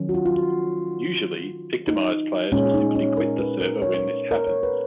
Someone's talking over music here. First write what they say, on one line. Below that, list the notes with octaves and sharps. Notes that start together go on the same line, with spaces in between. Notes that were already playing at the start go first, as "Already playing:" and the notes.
Usually, victimized players will simply quit the server when this happens.
Already playing: D#3 F#3 C#4
F#4
F4
F4
F#4
D#4
A#2 G#3 C#4
D#4
C#4
A#4
B4
A#4
C#5
C#5
A#4
C#5
B4